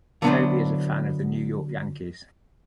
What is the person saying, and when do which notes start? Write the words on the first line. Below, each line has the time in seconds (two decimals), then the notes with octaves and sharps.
Toby is a fan of the New York Yankees.
0.22 D3 F#3 B3 D4 B4 C5